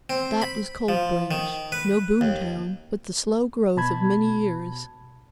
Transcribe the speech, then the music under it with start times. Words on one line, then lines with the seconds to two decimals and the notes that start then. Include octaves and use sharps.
That was Cold Branch--no boom town, but the slow growth of many years.
0.10 C4
0.42 B5
0.89 F3
1.31 D#3
1.72 B4
2.21 D#2
3.77 B2 A5 B5 G#6